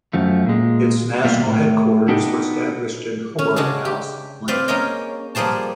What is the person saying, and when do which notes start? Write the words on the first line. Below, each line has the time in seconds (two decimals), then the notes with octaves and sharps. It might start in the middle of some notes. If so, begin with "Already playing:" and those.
Its national headquarters were established in Hobart House, London.
0.13 F#2 F3 A3
0.46 A#2 G#3
1.24 B2 G3 A#3 F4
1.46 A2
2.08 B3 D4 D#4 G5
3.39 C#4
3.56 C#3 G#3 D4 F#4 G#4
3.85 G4
4.48 C4 B4 C5 D5 F5
4.68 A#3 C#4 G#4 C#5 D#5 G5
5.35 F3 G3 A#3 G#4 C5 A5